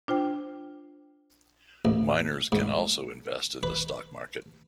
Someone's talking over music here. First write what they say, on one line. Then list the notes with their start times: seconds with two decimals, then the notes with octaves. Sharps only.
Minors can also invest in the stock market.
0.08 D4 F4 C5 G5
1.85 A1
2.52 G#2
3.63 B4